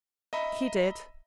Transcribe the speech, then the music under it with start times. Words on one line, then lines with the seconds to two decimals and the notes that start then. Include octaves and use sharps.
"He did."
0.33 D#5 E5 A#5 B5